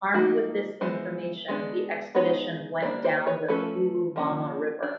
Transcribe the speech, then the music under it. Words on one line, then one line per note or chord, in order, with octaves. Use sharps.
Armed with this information the expedition went down the Urubamba River.
F3 A#3 D#4 E4 F#4
E3 G#3 B3 C5
G#3 B3 D4
G#3 B3 D#4 B4 C#5
G3 A#3 D4 C5 D5
C5 D5
B4 C#5
F3 A3 C#4 A4 B4
F3 A#3 C#4
D4